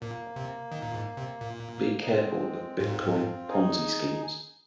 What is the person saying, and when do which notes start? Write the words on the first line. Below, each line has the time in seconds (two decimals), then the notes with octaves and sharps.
Be careful of bitcoin Ponzi schemes.
0.02 A#2 A#3
0.36 C3
0.72 D#3
0.82 A#2
0.94 G#2
1.17 C3
1.41 A#2
1.75 A#3
2.02 D#4
2.10 G#3 C4
2.80 G#2 C4 F4
3.49 D#4 G#4